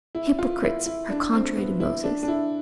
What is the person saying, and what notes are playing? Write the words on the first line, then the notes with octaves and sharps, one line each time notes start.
Hypocrites are contrary to Moses.
E4
F4
E4
E4
D4
C4
B3
E4
D4
D4
E4